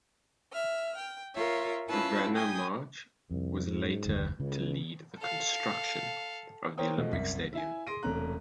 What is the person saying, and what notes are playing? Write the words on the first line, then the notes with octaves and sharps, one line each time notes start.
Werner March was later to lead the construction of the Olympic Stadium.
E5 F6
G5
F4 A#4 C#5 E5
C#4 E4 F4 B4 A5 E6
G5 G#5 D#6 G6
C2 F2
G#2
F#1 D#2 D3
C#2 C#3
A4 F5
A#4 C5 C#5 G5 D#6
B2 F3 G#3 A3
F#1 C2 B6
E4 E5 G#5
G#4 C6 A#6 D7 D#7
E1 C3 A3 C#4 A#5 F#6